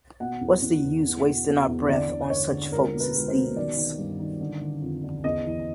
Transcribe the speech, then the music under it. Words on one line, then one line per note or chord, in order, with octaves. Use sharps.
What's the use wasting our breath on such folks as these?
B2 F#5
E2
E2
E2
E2
B2
B2
E2
D3 D5
D3
D3 C#5
D3
C#2 A#4
B2
B4
C#2
C5
B2
D#3 D5
D#3
G2
D#3
D3
D3
F2
D3
E2 D#5
E3